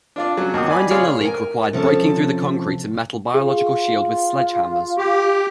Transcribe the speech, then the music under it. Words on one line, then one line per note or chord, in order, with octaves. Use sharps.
Finding the leak required breaking through the concrete and metal biological shield with sledgehammers.
D4 F4 D5
F#3 C#4
D#2 F#4 G4 D#6
D5 G#5 B5
G#3 F4 G#4 C#5 D5 F5
A#4 G#5
C3 F3 C#4 A4
F4 G#4
G4 C#6